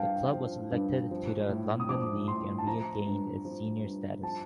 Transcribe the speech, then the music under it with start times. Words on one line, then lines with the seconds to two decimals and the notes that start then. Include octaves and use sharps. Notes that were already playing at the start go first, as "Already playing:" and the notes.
The club was elected to the London League and regained its senior status.
Already playing: G2 F3 F5 G5 A5
0.33 F3
0.71 G2
1.11 F3
1.49 A2
1.80 D#6
1.89 F3 D6
2.28 A2 C6
2.58 A5
2.67 F3 A#5
3.06 G2
3.45 F3
3.84 G2
4.23 F3 A5